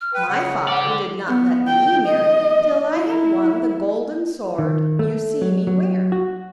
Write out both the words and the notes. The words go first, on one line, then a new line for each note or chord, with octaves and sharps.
My father did not let me marry till I had won the golden sword you see me wear.'
F6
B4 G5
C#3 F#5
G4 D5
D3
B3
G5
D#5
E4
D#3
A3
F#3
F#3
F#4